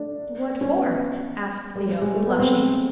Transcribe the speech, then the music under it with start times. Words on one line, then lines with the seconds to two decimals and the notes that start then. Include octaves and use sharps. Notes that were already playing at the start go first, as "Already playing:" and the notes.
"What for?" asked Theo, blushing.
Already playing: A3 D4
0.61 C#4
0.75 B3
1.76 G3
1.89 G3
2.02 G#3
2.14 A3
2.27 B3
2.40 C4
2.53 C4